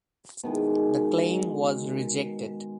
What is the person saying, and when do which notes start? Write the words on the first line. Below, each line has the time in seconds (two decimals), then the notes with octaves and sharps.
The claim was rejected.
0.43 B2 D#3 G#3